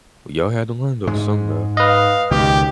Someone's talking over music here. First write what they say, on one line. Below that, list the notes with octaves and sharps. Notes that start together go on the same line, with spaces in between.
Well, y'all had to learn, though, somewhere.
G#2 G#3
B4 D#5 F5
C#2 B2 D#3 G4